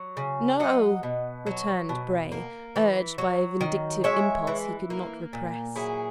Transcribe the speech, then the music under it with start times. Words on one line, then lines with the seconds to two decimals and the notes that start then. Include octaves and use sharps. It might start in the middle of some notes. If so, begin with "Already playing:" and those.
'No!' returned Bray, urged by a vindictive impulse he could not repress.
Already playing: F#3
0.17 C#3
0.60 F#3 D#5 F#5
1.03 B2
1.46 F#3
1.89 B2
2.32 A#3
2.76 E3
3.18 F#3
3.61 D#3
4.04 G#3 C#5 E5
4.47 E3
4.90 A#3
5.33 A#2
5.76 F#3 E4 G#4